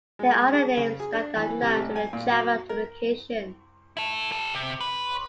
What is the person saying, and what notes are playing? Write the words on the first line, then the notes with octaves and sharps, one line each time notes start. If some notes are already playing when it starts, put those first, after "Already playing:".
They are the names that are known to the Java application.
G#3
G#4
C#3
G#4
D4
E3
C3
A1
G#5
A#2
F#4
A#4
E4 A4
G4 A4
C3
B4